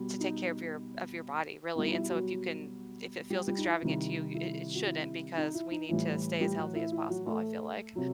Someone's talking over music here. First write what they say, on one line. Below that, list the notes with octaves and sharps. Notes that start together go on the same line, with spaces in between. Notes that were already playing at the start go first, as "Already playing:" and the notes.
to take care of your of your body, really, and so if you can if it feels extravagant to you, it it shouldn't because we need to stay as healthy as possible, I feel like.
Already playing: B2 G3
D#4
B2 G3 E4
D#4
E4
F#3 F#4
G3 G4
G3 G4
D#4
E4
C3 D#3 G3 E4
E4
F#4
E4
D#4
E4
D#4
A2 E3 G3 E4
E4
G3 G4
F#3 F#4
E4
E4
F#3 F#4
A3 A4
C3 F#3